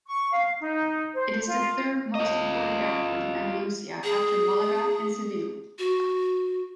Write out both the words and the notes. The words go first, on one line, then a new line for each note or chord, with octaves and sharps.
It is the third most important airport in Andalucia after Malaga and Seville.
C#6
F5
D#4
C5
F4
F4 D#5
G#4
F#4